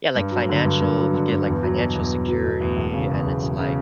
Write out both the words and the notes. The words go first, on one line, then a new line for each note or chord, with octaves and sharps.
Yeah like financial you get, like, financial security, and it's like
G2
F#3
D3
G2
G2
F#3
D3
G2
E2
F#3
B2
E2
E2
F#3
B2
E2
E1
C#3
E2
E1
E1
C#3